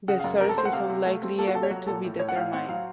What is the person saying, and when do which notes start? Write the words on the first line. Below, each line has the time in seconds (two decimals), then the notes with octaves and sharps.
The source is unlikely ever to be determined.
0.08 C#3 F#5
0.20 F5
0.24 F#2
0.41 C3 A#4
0.49 A4
0.57 A3 C5
0.65 F#5
0.73 C3 F5
0.89 C3
1.05 A3
1.22 C4
1.38 A#3 A4
1.47 F#4
1.55 C3 A4
1.63 C#5
1.71 F#3 F#4
1.87 A#2 A4
2.04 A2
2.19 A2 C#5
2.29 F#5
2.36 A2 F5
2.53 C4 F#5
2.68 F#3 F5